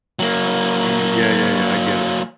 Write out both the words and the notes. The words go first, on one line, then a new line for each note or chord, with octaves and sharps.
y y yeah, yeah, yeah, I get it.
F#3 A#3